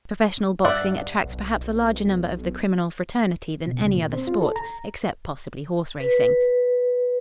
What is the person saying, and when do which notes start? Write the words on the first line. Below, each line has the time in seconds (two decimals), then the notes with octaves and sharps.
Professional boxing attracts perhaps a larger number of the criminal fraternity than any other sport, except, possibly, horse-racing.
0.65 G2 D5 E5 F#5
1.23 B1
3.67 B2
3.80 C#2
3.94 A#2
4.12 C4
4.27 F4
4.41 A4
4.56 A#5
6.00 B4